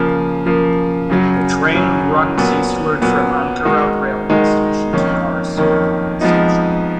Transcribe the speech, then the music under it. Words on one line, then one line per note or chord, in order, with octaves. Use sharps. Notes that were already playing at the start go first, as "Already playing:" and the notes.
The train runs eastward from Ankara Railway Station to Kars Railway Station.
Already playing: C#3 F3 A#3
C#3 F3 A#3
F#2 C#3 F#3
F#2 C#3 F#3
A#2 F#3 B3
A#2 F#3 B3
D#3 G#3 D#4 F#4
D#3 G#3 D#4 F#4
F2 D#3 A#3 C#4
F2 D#3 A#3 C#4
F2 F3 G#3 B3 D#4